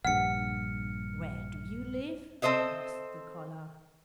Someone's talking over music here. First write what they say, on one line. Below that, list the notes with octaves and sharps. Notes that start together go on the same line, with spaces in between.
"Where do you live?" asked the collar.
A#1 G2 F#5 F6 C#7
C4 A4 C5 D#5 E5